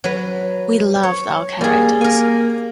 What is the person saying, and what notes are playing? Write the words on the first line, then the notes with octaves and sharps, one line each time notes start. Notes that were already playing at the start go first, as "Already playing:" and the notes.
We loved our characters.
F#3 B4
C#5
G3 A#3 G#4
A#3 A#4 G#5